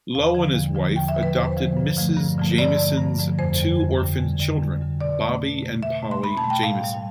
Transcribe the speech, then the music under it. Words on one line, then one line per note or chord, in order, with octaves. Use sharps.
Lowe and his wife adopted Mrs. Jamieson's two orphaned children, Bobby and Polly Jamieson.
E2 F5
D3 F3
E2
D3 F3
E2 G5
E5
D3 F3
B4
E2 C5
D3 F3
G2
D3 F3 A3
G2
D3 F3 A3
G2 D5
D3 F3 A3
G2
D3 F3 A3
F2 C5
D3 G3
F2
D3 G3
F2
D3 G3
F2
D3 G3
B2 D5
A3
B2
A3
B2 E5
A3
C6
B2 B5
A5
A3
G5
A2 F5
G3